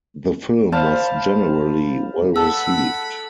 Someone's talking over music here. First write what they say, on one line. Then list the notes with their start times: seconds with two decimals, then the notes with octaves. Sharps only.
The film was generally well received.
0.72 C5 F5 A5 B5
2.36 A4 F#5 A5 B5 E6